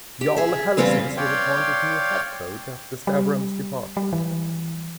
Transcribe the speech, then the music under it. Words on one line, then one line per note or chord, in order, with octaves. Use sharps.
Jarle Hellesnes was appointed new head coach after Stavrum's departure.
G4
G#4 E5
E2 C#3 G3 C4 F4 B4
C#5 D5 F5 G5 C6
G3
G3
E3